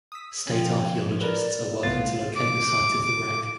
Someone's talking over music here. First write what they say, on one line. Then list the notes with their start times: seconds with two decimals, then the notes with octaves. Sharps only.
State archaeologists are working to locate the site of the wreck.
0.12 D#6 E6 B6
0.47 F3 C#4 G5
1.21 A#4 B4 D5
1.83 C2 E3 A3 B3 F4 F#5 A6
2.36 D6